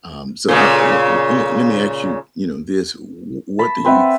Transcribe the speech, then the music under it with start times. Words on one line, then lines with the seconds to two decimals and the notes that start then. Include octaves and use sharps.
Um, so I I want the a le let me ask you, you know, this, w w what do you
0.48 A#2 C#3
3.59 A5 B5
3.84 C4 B4 E5 F#5